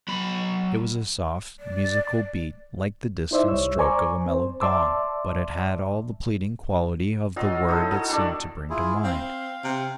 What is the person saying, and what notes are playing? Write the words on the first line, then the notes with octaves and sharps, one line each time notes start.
It was a soft, musical beat, like the distant stroke of a mellow gong, but it had all the pleading quality of the word it seemed to bring to mind.
F#3 B5
D5
D#4 E4 C5 D5 E5
C2 G3 C#5 E6
C5 D5 G#5 A#5 C#6 D6
C4 C5
D5 E5 A5 C6 D6 E6
F#3 F4 D#5 G#5
D#4 E4 A4 D#5
E4 F#4 A4
D#3 A3 D4 D5
E4 F4 G#4
C4 F5
C3